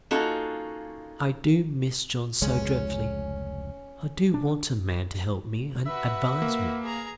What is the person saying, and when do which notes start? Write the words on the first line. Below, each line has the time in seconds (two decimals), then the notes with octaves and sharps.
"I do miss John so dreadfully; I do want a man to help me and advise me."
0.11 A#3 C#4 D#4 F4 F#4 A4
2.42 F1 C#2 G#3 C#4
4.34 D4
5.86 F#4 B4 E5
6.42 A#3
6.83 G#4 A#5